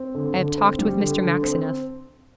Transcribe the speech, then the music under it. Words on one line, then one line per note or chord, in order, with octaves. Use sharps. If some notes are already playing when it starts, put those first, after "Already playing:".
I have talked with Mr. Maxineff.
Already playing: C4
D3
D3
C4
G3
D3
D3
C4